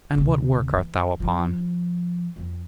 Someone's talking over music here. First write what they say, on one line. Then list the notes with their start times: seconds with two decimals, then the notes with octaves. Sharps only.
'And what work art thou upon?'
0.15 D2 C3
0.72 E3
1.20 F3
2.36 F2